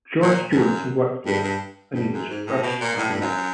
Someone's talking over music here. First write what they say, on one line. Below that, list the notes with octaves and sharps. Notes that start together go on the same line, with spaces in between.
George Jones worked there when he was first starting out.
A#2
G2
F#2
G2
G2
G2
F#2
G#2
A2
B2
A#2
A2
G2
F#2